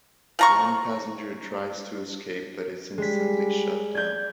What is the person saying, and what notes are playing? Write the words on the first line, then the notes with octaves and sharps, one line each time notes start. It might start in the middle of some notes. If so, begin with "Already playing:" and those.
One passenger tries to escape but is instantly shot down.
F3 A#5 C#6
G3 G#3 B6
D5 G6 G#6